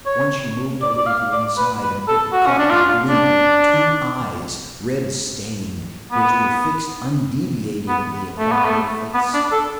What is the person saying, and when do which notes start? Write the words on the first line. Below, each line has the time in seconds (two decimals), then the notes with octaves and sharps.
Once she moved a little to one side and Vic caught the glint of two eyes, red-stained, which were fixed undeviatingly upon her face.
0.06 C#5
0.82 D5
0.98 D5
1.06 F5
1.32 D5
1.57 B4
1.82 B4
2.08 A4
2.33 F#4
2.46 C#4
2.59 D4
2.71 F4
3.09 D4
6.12 B3
7.88 B3
8.39 A3
8.52 B3
8.65 A3
9.14 B3
9.34 D4
9.52 A4